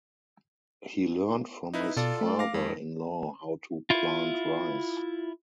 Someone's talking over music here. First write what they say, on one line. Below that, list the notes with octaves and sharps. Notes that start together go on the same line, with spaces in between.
He learned from his father-in-law how to plant rice.
D#4 E4 B4
B2 F4 A4 D5
A3
F5 D6 A#6
F2 G#3
E4 F4